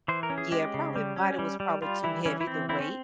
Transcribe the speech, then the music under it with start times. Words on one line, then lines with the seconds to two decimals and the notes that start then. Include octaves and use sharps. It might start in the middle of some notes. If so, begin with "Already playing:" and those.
Yeah, probably the body was probably too heavy, the weight
0.08 E3 C5
0.23 A#4
0.30 C#4
0.38 G#4
0.52 G#3 G4
0.74 C#3
0.96 G3
1.16 C#4
1.39 G3
1.60 G3
1.82 G3 F4
2.04 E3 E4
2.25 E3 C#4
2.41 E4
2.47 C4
2.69 C4 E4
2.80 C#4